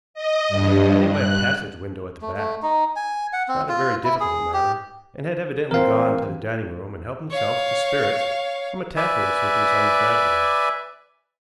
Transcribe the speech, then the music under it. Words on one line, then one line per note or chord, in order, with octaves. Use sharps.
They had got in by a passage window at the back--not a very difficult matter--and had evidently gone to the dining room and helped themselves to spirits from a tantalus which was on the sideboard.
D#5
G2
F#6
A3
A3
D#4
G#5
F#5
C4
F4
E4
G#4
G4
E3 C4 A#4 F5
C#5 F5
B4 D5 E5 G#5